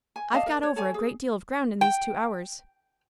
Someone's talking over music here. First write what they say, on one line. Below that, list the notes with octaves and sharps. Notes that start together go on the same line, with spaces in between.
I've got over a great deal of ground in these two hours.
G#5
D5 D#5 F5 A5
A#4 D#5
C#5
A4 C#5 G#5
G#4
G5